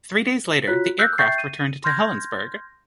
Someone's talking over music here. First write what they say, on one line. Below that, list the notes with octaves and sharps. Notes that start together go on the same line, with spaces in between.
Three days later, the aircraft returned to Helensburgh.
F4 F#4 C#5 F#6 B6
E6 F#6 G6
E5 G5 C#6 G6 A6 C7
D#7
C6 F6 G6 G#6 A#6